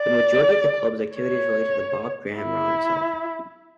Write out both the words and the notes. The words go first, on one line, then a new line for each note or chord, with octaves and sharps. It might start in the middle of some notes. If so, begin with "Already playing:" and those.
The majority of the club's activity is related to the Bob Graham Round itself.
Already playing: D5
C#5
E4